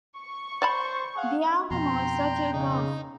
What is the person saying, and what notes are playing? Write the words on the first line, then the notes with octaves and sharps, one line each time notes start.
The album also took off.
C#6
C5 D5 A5 B5
G#4 F5 F#5
F2 B2 G5 A#5 C6
C#3 D#4